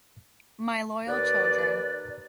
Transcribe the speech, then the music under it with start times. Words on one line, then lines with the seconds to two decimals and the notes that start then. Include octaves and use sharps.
My loyal children.
1.07 D#2 B4 D5